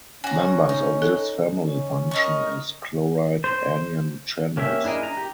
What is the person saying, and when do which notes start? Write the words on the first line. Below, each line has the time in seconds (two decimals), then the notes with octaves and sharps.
Members of this family function as chloride anion channels.
0.24 C#4 F#4 G#5 A#5
0.69 D#4
1.02 A4
1.58 C#4
2.11 A#4 D#5 C#6
3.44 C5
4.57 A#3 C#4 G4 E5
4.84 D4 E4 G#4 A#4 D#5
5.03 A#5
5.17 G4